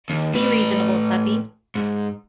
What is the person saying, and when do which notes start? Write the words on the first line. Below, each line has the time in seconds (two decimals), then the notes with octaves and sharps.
Be reasonable, Tuppy.
0.10 D#2
0.34 A2 B4
1.75 G#2